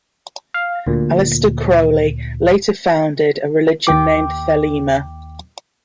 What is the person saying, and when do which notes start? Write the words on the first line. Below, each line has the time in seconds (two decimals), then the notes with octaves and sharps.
Aleister Crowley later founded a religion named Thelema.
0.54 F5
0.87 D2 A#2
3.87 D#2 G5 D6